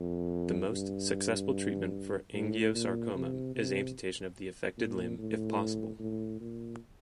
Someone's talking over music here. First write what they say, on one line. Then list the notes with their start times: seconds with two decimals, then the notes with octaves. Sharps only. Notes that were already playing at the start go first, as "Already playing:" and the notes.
The most successful treatment for angiosarcoma is amputation of the affected limb if possible.
Already playing: F2
0.71 G2
2.34 A2
2.74 A#2
3.15 C3
3.55 C3
4.77 A#2
5.18 A2
5.99 A2
6.40 A#2